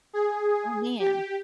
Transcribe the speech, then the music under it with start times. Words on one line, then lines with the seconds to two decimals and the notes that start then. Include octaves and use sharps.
Oh, man.
0.13 G#4
0.99 G4